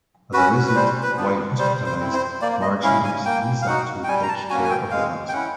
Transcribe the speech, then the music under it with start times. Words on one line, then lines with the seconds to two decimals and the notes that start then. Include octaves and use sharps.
As a result, while hospitalized, Marge leaves Lisa to take care of the house.
0.33 C#4 F#4 B4
0.68 B4
0.75 G3 C5
1.03 B4
1.17 B3 D4 F4
1.58 G3 C5
1.86 C5
2.00 C4 E4
2.14 C5
2.42 A#3 D5
2.62 D#5
2.83 C#4 E4 F5
3.04 G#5
3.25 A#3 G5
3.62 F5
3.67 D#4 F#4 F#5
4.04 G5
4.08 G3 G#5
4.23 A#5
4.28 A5
4.50 A#3 C#4 F#4 G#5
4.64 G#5
4.70 G5
4.91 G#3 F5
5.29 G5
5.33 C#4 E4 F#5